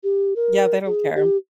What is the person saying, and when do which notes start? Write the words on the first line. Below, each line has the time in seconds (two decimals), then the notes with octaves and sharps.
Yeah, they don't care.
0.04 G4
0.36 A#4
0.86 G#4
1.15 G4